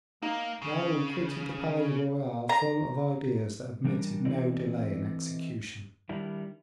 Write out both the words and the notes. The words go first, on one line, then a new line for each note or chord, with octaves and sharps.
Raoul quitted the Palais Royal full of ideas that admitted no delay in execution.
A#3 D#4
C#3
A#5
E3 G3 D4 A#4
E3 C4 E4 A4 D5 D#5
D#3 G3 D4 E4